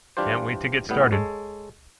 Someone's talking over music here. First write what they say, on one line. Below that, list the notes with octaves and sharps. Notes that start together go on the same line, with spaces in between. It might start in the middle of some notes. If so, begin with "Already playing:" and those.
Can't wait to get started!'.
E3 G3 D4 F4 G4 C5
A2 G3 B3
G#3 A4 C#5